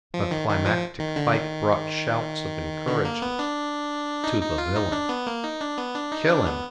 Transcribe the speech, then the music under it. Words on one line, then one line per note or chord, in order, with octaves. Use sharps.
The climactic fight brought shouts of encouragement--to the villain. "Kill him!"...
F3
D#3
D#3
F3
D#3
D3
D#3
D3
A#3
B3
D4
D#4
D#4
F4
D#4
D4
B3
A#3
D#4
D4
B3
D4
D#4
D4
B3